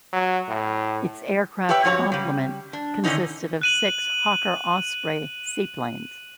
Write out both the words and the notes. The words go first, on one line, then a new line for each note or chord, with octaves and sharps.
Its aircraft complement consisted of six Hawker Osprey seaplanes.
F#3
A2
G4 B4 C#5 E5 G5
F#2 F3 F#3 C#5 A#5
C#3 G3
D4
D3 D#3 A3 C#4 D#4 E4
F#6 D#7 F#7